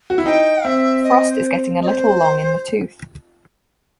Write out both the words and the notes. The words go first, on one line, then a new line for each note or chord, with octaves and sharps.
Frost is getting a little long in the tooth.
F#4
E4
D#4 G5
C4 E5
D#5
C5
D#5
C5